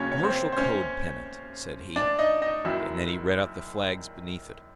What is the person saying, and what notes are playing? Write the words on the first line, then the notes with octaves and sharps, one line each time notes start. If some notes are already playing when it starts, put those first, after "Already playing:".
"Commercial code pennant," said he; and then he read out the flags beneath it.
Already playing: D#2 C#3 F#3 C#4 C#5
C#5
C4 C5
C5
C#4 C#5
D4 D5
D#4 D#5
D#4 D#5
F#1 F#2 D#3 F#3 E4 E5